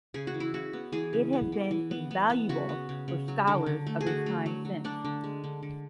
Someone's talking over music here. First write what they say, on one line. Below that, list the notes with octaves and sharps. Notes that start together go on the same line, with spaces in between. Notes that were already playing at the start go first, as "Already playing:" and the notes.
It has been invaluable for scholars of his time and since.
C#3 G#4
F#4
E3
E4
C#3 F#4
B3
E3 G#4
C#3
B3
E3
E3
B3
B3
B3
C#3 F#4
B3
C#3
C#3
F#3
D3
D3
A3
G#4
D3 F#4
A3
F#3
F#3
D3 D4
D3
G#3
D3
D3